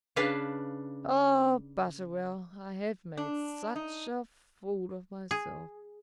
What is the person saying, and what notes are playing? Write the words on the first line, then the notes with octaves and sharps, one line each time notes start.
Oh, Butterwell, I have made such a fool of myself.
C#3 D4 B4 F5 A5
D4
D#4
G#4